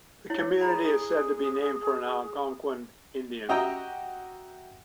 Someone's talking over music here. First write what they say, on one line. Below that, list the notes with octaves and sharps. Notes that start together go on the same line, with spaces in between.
The community is said to be named for an Algonquin Indian.
E4 C#5
G#4 A#5 B5
F#4 G4 D#5 E5 G5 A#5